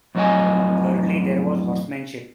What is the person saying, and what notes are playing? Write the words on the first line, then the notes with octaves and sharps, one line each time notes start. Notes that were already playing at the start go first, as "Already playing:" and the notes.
Thirdly there was horsemanship.
F2 A2 F#3 D#5 F5 G#5